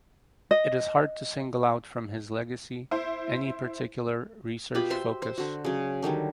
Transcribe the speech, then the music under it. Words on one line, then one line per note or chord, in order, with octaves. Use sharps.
It is hard to single out from his legacy any particular research focus.
D#5
E4 C5
B2 F4 G4 B5
C5 E5 C6
C5
D3 F#4
C#3 F#3
D3 D#3 F#3 G3